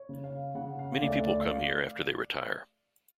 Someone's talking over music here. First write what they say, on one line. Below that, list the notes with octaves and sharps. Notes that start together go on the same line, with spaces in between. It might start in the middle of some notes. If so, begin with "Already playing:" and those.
Many people come here after they retire.
Already playing: C#5
C#3
F5
C#3 F#5
F5
D2 D5
D5
F5